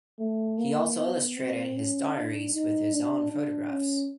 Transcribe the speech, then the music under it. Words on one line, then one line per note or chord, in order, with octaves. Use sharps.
He also illustrated his diaries with his own photographs.
A3
A#3
B3
C4
C#4
D4
D#4
D4
D4
C#4